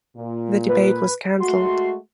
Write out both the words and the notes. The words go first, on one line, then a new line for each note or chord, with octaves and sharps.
The debate was canceled.
A#2
B4
G#3 A3 F#4 C6